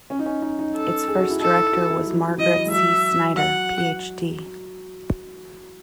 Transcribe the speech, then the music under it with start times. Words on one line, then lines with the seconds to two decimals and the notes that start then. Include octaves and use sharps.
Its first director was Margaret C. Snyder, Ph.D.
0.10 C#4
0.19 D#4
0.26 C#4
0.42 D#4
0.59 D#4
0.75 A4
1.08 G#4
1.19 F#4
1.30 E4
1.40 D#4 A4
1.57 E4
1.72 F#4
1.89 E4
2.05 F#3
2.22 F#3
2.38 E3 D#5
2.54 F#3
2.65 G#3
2.71 F#3 E5
3.35 F#3 F#5